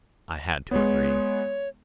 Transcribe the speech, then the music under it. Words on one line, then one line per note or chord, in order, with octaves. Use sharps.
I had to agree.
G#3 B3 C#5